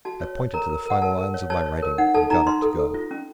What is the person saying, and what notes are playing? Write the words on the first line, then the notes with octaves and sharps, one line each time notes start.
I pointed to the final lines of my writing, and got up to go.
F#4 A5
C#5
C#5
A#4 A#5
A#4
A#4 F#5
A#4 A5
A#4
C#5
C#5 A5
C#5
A#4
D#4 F#5
A4 A5
D#4 A#5
D#4 C6
A4
A4
F4
C#4